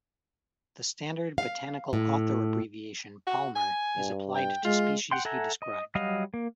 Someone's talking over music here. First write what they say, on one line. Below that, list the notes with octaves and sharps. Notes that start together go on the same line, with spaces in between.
The standard botanical author abbreviation Palmer is applied to species he described.
F5
A2
F#4
G#5
G2
G5
G#3 F4
F#5 G5 C6
A4 E5 F#5 G#5 A#5
D#5
F#3 G3 F#4 D#5 F5
A#3